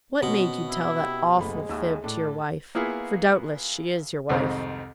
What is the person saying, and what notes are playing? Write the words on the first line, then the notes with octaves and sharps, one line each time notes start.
What made you tell that awful fib to your wife?--for doubtless she is your wife.'
B2 C4 C#4 C#5
E4
G4
F#1 G#3 A3 B5
D#2 A2 E6
A2 D4 A4
A#3 B3 E4 F4 G#4
C2 F2 G#2 D#3 C5